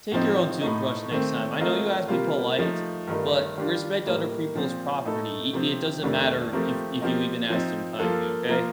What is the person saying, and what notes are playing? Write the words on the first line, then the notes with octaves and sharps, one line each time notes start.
take your own toothbrush next time, I know you asked me polite, but respect other people's property, i it doesn't matter if if you even asked him kindly, okay?"
A2 F3 C4 D#4
A2 A3 D#4
D#3 A3 C4
A3 C4 F4 A#4 D#5
C3 G3 A#3 F4
F3 A3 D#4
G2 D#3 A3 D#4 A#4
D#3 G3 D4 F4
A2 G3 A#3 D#4
A#2 F3 C4
A2 A3 D#4 A4
C3 F3 C4
F2 D#3 A3 D4 G4
F3 A3 C4 G4 A#4
F3 C4 G4 A#4 D#5
F3 C4 D#4
F3 A#3 F4 A4
F3 A#3 F4 A#4